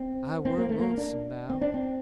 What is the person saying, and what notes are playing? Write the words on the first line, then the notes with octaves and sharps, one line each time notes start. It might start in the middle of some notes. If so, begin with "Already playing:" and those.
I warn't lonesome now.
Already playing: C4
C4
A#3
A3
A#3
D4
C4
D4
C4